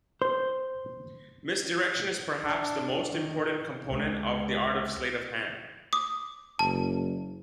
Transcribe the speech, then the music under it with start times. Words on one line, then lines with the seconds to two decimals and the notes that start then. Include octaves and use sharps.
Misdirection is perhaps the most important component of the art of sleight of hand.
0.22 C5
2.45 D4
3.10 D#3
3.86 C#2
5.93 D6 D#6
6.59 F#1 A5